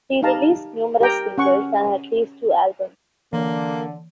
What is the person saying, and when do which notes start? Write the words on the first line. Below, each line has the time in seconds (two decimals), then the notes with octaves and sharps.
She released numerous singles and at least two albums.
0.23 D#4 G4 F5 A5 A#5
1.01 G4 A#4 G5 A#5
1.38 C#4 F#5 C#6
3.33 D3 E3 A#3